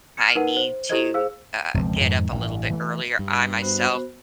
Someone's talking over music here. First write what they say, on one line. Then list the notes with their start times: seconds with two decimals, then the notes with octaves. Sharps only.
I need to, uh, get up a little bit earlier, I myself
0.17 F6 C#7
0.35 D#4 A#4 B4 F#5 D#7
0.57 C5
0.89 E4 G4 A4 C5 D#5 G#6
1.14 G#4 C5 F5 E6
1.74 E1 C#2 F3 C4
1.99 F2 G#2 D#3
2.32 A1 G2
2.71 E3 A3
3.19 G2
3.62 B3 F#4 C5